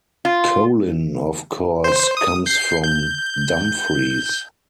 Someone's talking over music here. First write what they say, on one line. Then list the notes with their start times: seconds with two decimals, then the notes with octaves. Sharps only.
Colin of course comes from Dumfries.
0.25 F4
1.84 C5
2.17 D#6
2.46 G6 C7
2.84 G6